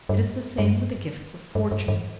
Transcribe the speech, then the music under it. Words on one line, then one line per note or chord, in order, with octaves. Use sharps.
It is the same with the gifts of fortune.
G2
G2
G2
G2
G2